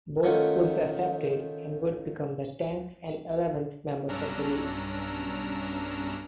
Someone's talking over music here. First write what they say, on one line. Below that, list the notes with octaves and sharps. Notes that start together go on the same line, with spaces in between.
Both schools accepted and would become the tenth and eleventh members of the league.
D#3 A3 C#4 F4 F#5 G5
B1 G2 C#4 D4 A#5 E6